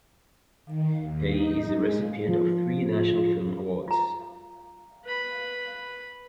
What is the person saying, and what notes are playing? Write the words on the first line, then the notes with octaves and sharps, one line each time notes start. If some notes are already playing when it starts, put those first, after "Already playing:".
He is the recipient of three National Film Awards.
D#3
D#2
D#4
G#3
F3
F4 A#5
B4 B5